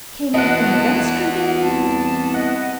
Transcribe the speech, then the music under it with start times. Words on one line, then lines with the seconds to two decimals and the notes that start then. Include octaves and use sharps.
Came in from the vestry, did he?
0.34 B2 B3 E4 D#5 F#5 A5
1.62 C2 A5
2.34 D#5 F#5